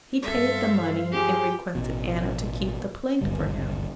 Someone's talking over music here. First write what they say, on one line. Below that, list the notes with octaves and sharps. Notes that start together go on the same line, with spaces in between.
He paid the money, and requested Anna to keep the plate for him.
G2 A4 C5 E5 F5
F3 G4 G#4
A1 B2
D#1 G#1 G2 D3